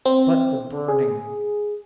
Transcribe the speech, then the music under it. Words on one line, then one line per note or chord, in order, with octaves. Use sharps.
But the burning!
C4
G#4